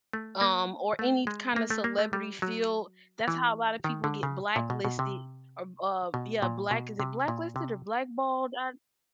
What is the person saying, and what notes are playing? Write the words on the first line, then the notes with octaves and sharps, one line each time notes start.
um, or any kinda celebrity field, that's how a lotta people get blacklisted, or, uh, yeah, black, is it blacklisted or blackballed, are
A3
A#3
A3
G#3
A#3
A3
A#3
A3
G3
F#3
E3
D#3
D3
C#3
A#2
B2
B2
C3
B2
A#2
B2
C3
A#2
C3